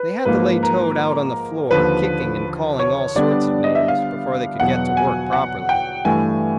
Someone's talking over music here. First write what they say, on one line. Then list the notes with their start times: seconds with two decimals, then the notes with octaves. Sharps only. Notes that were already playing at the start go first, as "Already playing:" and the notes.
They had to lay Toad out on the floor, kicking and calling all sorts of names, before they could get to work properly.
Already playing: B4
0.25 G#2 F3 A#3 B4
0.63 A#4
1.71 D#2 D3 F3 B4
2.79 C#5
3.15 D3 G3 B3 D4 D5
3.64 D#5
3.75 E5
3.88 F5
4.60 E2 B2 F#3 F#5
4.97 G#5
5.33 F#5
5.69 G5
6.05 G2 E3 A3 G#5